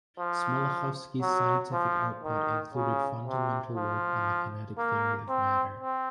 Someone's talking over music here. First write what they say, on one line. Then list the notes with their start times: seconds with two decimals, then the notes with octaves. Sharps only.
Smoluchowski's scientific output included fundamental work on the kinetic theory of matter.
0.19 F3
1.21 F#3
1.73 F3
2.23 D#3
2.74 C#3
3.25 C3
3.77 F3
4.78 A#3
5.29 C4
5.80 C4